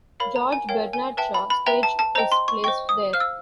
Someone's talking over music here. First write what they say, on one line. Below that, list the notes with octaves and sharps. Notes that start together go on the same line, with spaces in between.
George Bernard Shaw staged his plays there.
A#4 C#5 F5 B5
A#5
G#5
A#4 C#5 F5 G5
G#5
B4 E5 G5 A5
B5
B5
B4 E5 G5 A#5
A5
A5
C5 D#5 G5 A#5
C6
C#6
C5 D#5 G5 C#6
D#6
C5 F5 F6
E6